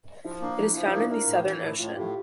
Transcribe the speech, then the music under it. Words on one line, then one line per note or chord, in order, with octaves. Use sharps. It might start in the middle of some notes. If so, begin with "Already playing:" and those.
It is found in the Southern Ocean.
F3 E4
A#3 D4
F3 E4
F3 F4
E4
A#3
D4
A#3 E4
A2
E3
A2
A2 F4
A2 G4